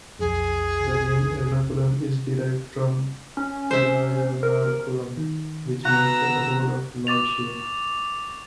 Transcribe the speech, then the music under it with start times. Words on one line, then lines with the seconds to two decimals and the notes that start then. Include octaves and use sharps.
The name "Ernakulam" is derived from "Erayanarkulam" which means the abode of Lord Shiva.
0.19 B1 F2 G#4
3.37 C#4
3.71 C5 E5
4.43 A#4
5.17 D#3
5.85 B3 F#4 A#5 E6
7.07 C#6 D6 A6 F7